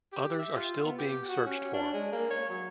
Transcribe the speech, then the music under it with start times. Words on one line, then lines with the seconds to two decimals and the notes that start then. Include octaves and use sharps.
Others are still being searched for.
0.12 G4
0.39 E5
0.55 F4
0.84 B3
0.98 G4
1.29 F#4
1.46 C#4
1.74 D4
1.94 G#3
2.12 A#3
2.30 C#5
2.50 F#3